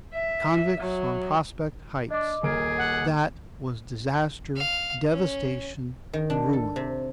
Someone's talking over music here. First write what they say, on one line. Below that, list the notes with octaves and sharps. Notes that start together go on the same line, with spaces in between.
The convicts on Prospect Heights! that was disaster, devastation, ruin.
E5
F#3
D4 D#5 D6
D#1 G#4 A#4 D7
F#5
F5
C#4
D#3
D4
A4
C3